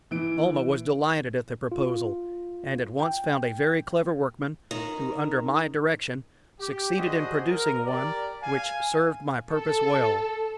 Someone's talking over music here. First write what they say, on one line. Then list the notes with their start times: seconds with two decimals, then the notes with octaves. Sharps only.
Almah was delighted at the proposal, and at once found a very clever workman, who under my direction succeeded in producing one which served my purpose well.
0.11 E3 D7
1.72 F4
3.00 G5
4.71 D#3
6.59 G4
6.98 D4 F#4 G#4 C5 D#5
7.49 A#4
7.86 G4 A#4 D5
8.43 F5 G#5
9.52 A4